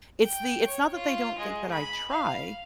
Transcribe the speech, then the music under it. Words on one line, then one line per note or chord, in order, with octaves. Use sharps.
it's the it's not that they don't think that I try,
G5
C#5
F4
G#3
B5
F5